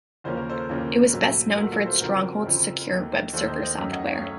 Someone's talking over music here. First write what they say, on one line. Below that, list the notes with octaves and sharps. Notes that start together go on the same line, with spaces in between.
It was best known for its Stronghold secure webserver software.
D#2 C#3 F3 A#3 C#4 C5
A#4
A4 C5
D#2 C#3 F3 A#3 C#4
A#2 F#3 A3
A#2 F#3 A3 F#4 A#4
F4 A4
A4 C5
F2 C#3 F3 C4 F#4 A#4
F2 C#3 F3 C4
D#2 D#3 A3
D#2 D#3 A3 A4 C5
C5 D#5
C5 D#5
F#2 D#3 A3 C#4
D#5 F#5
C#5 F5
A3 C#4